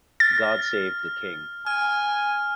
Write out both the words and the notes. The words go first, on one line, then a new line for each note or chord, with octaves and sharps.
God save the King.
F6 A6
G#5 F6